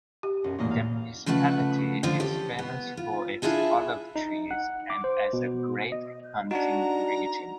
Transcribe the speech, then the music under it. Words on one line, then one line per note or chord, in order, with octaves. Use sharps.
The municipality is famous for its olive trees and as a great hunting region.
G4
B1 F#2
B1 E2 A#3 D#5
F5
C#3 F3 A3 B4 F#5
D3 F3 F4 C5
G4 A4 C5 C#5
B3
F4
D4 E4 F4 G#4 A4
D#4
F#5
D6
C5
B2
D#5
D4 D#4 F#4 F#5 A#5